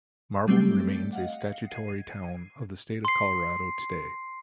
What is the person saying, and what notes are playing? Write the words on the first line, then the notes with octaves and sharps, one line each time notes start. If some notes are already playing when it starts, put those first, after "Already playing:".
Marble remains a statutory town of the State of Colorado today.
F#3 G3 A3 C4 G4
D#5 F5 F#5
G#6 C7 D#7
C6 C7